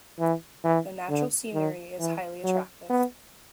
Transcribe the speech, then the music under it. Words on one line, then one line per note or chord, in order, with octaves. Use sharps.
The natural scenery is highly attractive.
E3
E3
D3
D#3
E3
F#3
B3